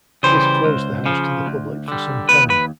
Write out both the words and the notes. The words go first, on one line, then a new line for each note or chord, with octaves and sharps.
This closed the house to the public for some time.
C#3 E3 G3 C5
C#2
C#3 F3
D2
D3 G3
D#2 B4
B4